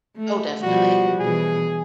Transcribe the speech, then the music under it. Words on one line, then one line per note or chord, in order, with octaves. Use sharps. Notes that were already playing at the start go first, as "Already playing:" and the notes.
Oh, definitely.
A3
B2 F3 G3 F#4
B2 E3 G#4